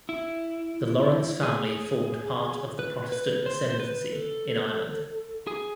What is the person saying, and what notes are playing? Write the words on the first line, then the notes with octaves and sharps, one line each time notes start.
The Lawrence family formed part of the 'Protestant Ascendancy' in Ireland.
E4
G#4
B4
B4
C5
C5
B4
A4
G#4